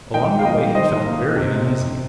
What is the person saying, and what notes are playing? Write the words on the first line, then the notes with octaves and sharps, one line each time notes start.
Along the way he felt very uneasy.
D#3 D#5 G5
F5
A#3 D#5 G5
D#3 C5 D#5
A#3
C3
C3